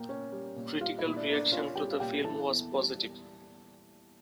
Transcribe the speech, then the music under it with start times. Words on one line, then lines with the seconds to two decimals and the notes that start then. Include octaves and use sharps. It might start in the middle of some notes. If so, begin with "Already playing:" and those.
Critical reaction to the film was positive.
Already playing: A#2 A#3 G5
0.09 C#4
0.32 G3
0.56 A#2
0.81 G3 F4 F5
0.98 E4 E5
1.04 A#2
1.16 D4 D5
1.28 A#3
1.34 D4 D5
1.52 C#4 F4 F5
1.76 G3 G4 G5
1.91 F5
2.00 A#2 G4 G5
2.24 E3 A4 A5
2.48 E2
2.72 G3